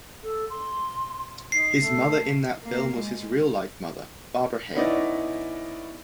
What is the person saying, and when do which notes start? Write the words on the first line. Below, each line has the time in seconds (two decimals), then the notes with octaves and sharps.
His mother in that film was his real-life mother, Barbara Hale.
0.23 A4
0.50 C6
1.52 D#4 C7
1.79 A3
2.62 A#3
2.95 G#3
4.75 B3 C#4 D#4 E4 D5 D#5